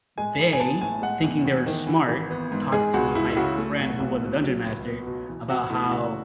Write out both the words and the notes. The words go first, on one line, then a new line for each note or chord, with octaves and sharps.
they, thinking they were smart, talks to my friend who was a Dungeon Master about how,
G#3 G#5
A1
G#5
B3 A5
A2 G#5
G#3 F#5
E2
E2
D#3
E3
G#1
B3
G#2
G#3 G#4
C#2 F#4
C#2 E4
E4
C#3 F#4
A3
B1
B1
B2
F#3
C#2
B3
B2
E3
C#2 F#4
A3 E4
E4
C#3 F#4